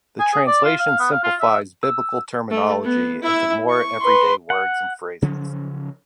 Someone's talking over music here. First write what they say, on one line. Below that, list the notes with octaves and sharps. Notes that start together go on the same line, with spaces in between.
The translation simplifies Biblical terminology into more everyday words and phrases.
G#5
G#4
D5
F4
F5
B3
F5
F4
E5
E6
A3
B3
E4 E5
C#6
B4 C6
F#5
C#3 F3 F#3 C#4